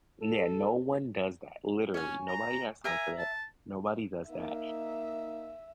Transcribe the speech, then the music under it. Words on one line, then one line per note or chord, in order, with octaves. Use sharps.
and yeah, no one does that, literally. Nobody has time for that. Nobody does that.
A4
C#4 C#5 G#5
A#5
A#4 E5 G#5 A#5
A5
A#3 D#4 E5